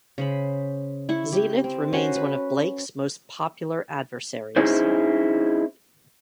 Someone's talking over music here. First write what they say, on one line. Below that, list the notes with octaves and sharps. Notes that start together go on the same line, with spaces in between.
Zenith remains one of Blake's most popular adversaries.
C#3 C5 B5
E4 C#6
G4
C4
C#4 F#4 B4 C5
B4
C#4 D#4 E4 G#4 C5